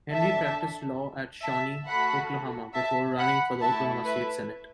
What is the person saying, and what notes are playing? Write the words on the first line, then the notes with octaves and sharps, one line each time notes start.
Henry practiced law in Shawnee, Oklahoma before running for the Oklahoma State Senate.
D4 A4 E5 A5
E5 A5
A3 F#4 A4 F#5 B5
E5 A5
F#5 B5
A3 E4 A4 E5 A5
B4 E5